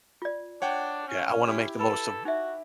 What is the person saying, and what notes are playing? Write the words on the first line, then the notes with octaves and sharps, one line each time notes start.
yeah, I wanna make the most of
F4 D5
D4 C#5 F#5 G5
C#4
E4 G4
A4 B4 B5
D#4 F#4 E5